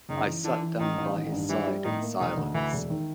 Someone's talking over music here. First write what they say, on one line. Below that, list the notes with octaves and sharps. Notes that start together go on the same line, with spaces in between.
I sat down by his side in silence.
F#1 D#3
E3
D3 E3
E3
A1 D#3
A1
D#3
G2
E3 G3
G3
A2 D#3
A#3
E1 D#3
D2
D2 E3
E1
D#3